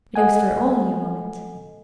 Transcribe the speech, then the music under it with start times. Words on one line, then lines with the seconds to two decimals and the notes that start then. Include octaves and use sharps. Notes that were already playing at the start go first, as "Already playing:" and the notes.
But it was for only a moment.
0.16 A4 D#5 F#5 G#5